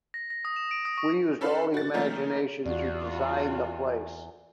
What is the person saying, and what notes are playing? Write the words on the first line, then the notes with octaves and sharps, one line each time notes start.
We used all your imgination to design the place.
A#6
A#6
D#6
E7
D7
D#6
C#6
C#4 A4 B4 C5 F5
F#4 A6
D#3 F3 A3 A#3 C#4 D#4
E2 F4 F#4 D5